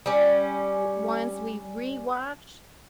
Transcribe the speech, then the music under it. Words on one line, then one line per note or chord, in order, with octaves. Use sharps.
o ones we rewatch
G3 C#4